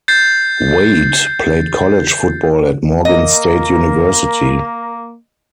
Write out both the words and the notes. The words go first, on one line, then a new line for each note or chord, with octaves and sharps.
Wade played college football at Morgan State University.
G6 A6 C7
A#3 A#4 D#5